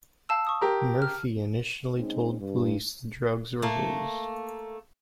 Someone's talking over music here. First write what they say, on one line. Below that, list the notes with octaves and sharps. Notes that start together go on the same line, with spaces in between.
Murphy initially told police the drugs were his.
F5 A5 E6
C#6 D#6
G4 A#4
F6
G#3 C4 C#4 D#4
G2
A3 A#3